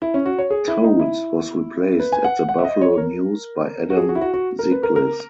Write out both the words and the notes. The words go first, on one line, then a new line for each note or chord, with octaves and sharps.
Toles was replaced at the "Buffalo News" by Adam Zyglis.
E4
C#4
F#4
C#5
G#4
E4
D#4
E4
B4
G#5
F#5
F#5
E5
D#5
C#5
A#4
F#4
G#4
F#4
E4
F#4
F#4
A#4
B4
A#4
A#4